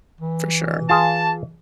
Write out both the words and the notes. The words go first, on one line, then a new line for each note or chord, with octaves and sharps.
For sure.
E3
F4 G#4 A5